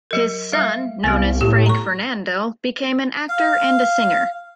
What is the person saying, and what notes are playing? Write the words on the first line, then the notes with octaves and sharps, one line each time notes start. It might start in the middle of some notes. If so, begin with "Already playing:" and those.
His son, known as Franck Fernandel, became an actor and a singer.
F#3 A#4
G3 E5
C2 G3 B3
A2 G4
A#5 C#6
F5